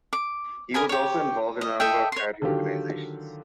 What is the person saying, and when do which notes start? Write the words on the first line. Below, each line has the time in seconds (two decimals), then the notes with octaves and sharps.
He was also involved in a number of charity organisations.
0.13 D6
0.74 A#4 D#5 G#5 B5
0.89 G4 C#5
1.61 D#5
1.80 A4 D#5 E5 G5
2.12 C#5 C6
2.42 D3 D#3 F#3 F4 G4